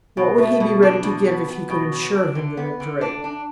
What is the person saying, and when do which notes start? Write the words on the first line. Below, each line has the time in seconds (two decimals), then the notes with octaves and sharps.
What would he be ready to give if he could insure him the victory?
0.17 B2
0.38 A3
0.60 B2
0.83 D4
1.04 B2
1.26 B3
1.48 B3
1.70 B2
1.92 F#3
2.14 D4
2.35 D3
2.57 B3
2.80 D3
3.01 D4
3.24 D4